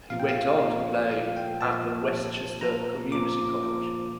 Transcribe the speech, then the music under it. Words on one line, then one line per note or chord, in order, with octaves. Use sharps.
He went on to play at the Westchester Community College.
A#2 F3 F5
G5
F5
A#2 F3
A#2 F3 F5
G5
A#2 F3 A5
A#2 F3
A#2 F3 A#5
A#2 F3 D6
A#2 F3